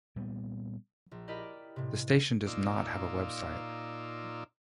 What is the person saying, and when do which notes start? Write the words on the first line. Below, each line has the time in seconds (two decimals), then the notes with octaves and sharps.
The station does not have a website.
0.16 A#2 G3 B3
1.11 A#1
1.28 E4 G4 A#4 D5 D#5 B5
1.76 A2 C3
2.47 A#2 D#4 F4 D5 E6